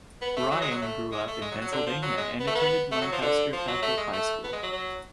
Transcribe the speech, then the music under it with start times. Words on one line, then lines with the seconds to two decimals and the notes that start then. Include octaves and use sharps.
Ryan grew up in Pennsylvania and attended Lancaster Catholic High School.
0.22 B3
0.36 A3
0.51 F#3
0.62 G#3
0.71 F#3
0.82 A3
1.12 G#3
1.27 A3
1.42 G#3
1.52 F#3
1.62 F#3
1.72 D3
1.86 F3
2.02 F#3
2.17 G#3
2.40 B3
2.47 A3
2.55 B3
2.92 A3
3.02 F#3
3.12 F3
3.22 D3
3.53 F3
3.68 F#3
3.82 A3
3.97 G#3
4.13 A3
4.43 B3
4.53 G#3
4.63 F#3
4.73 F#3